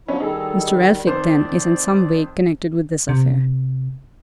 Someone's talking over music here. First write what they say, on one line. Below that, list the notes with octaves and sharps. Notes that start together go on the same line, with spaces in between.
"Mr. Elphick, then, is in some way connected with this affair."
F3 F#3 C#4 D4 E4
D#3 G3 D#4 G#4 A4
F2 D#3 C5 D5
C3